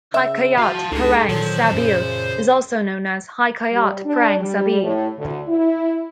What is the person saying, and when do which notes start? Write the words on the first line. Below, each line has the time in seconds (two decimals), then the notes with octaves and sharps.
Hikayat Perang Sabil is also known as "Hikayat Prang Sabi".
0.14 C#3 E5
0.58 F#4 F5 A5
0.92 C#2 D4 D#4 G#4 A4
1.29 A#2 D#3 F#3 C5 A5
1.72 F#2 A#2 C#3
3.71 G3
4.05 D4
4.40 G3
4.82 A2
5.18 D2
5.48 E4